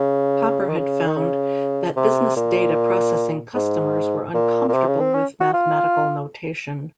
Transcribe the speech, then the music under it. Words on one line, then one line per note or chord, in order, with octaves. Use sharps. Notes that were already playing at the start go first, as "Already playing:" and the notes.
Hopper had found that business data processing customers were uncomfortable with mathematical notation.
Already playing: C#3
D#3
C#3
D#3
C#3
C3
A#2
G#2
A#2
A#2
C3
C#3
C4
C#4
F#4
F4